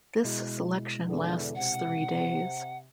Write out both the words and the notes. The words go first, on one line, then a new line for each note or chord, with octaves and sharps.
This selection lasts three days.
B2 G#3 E4
E2 D3
C3 F#5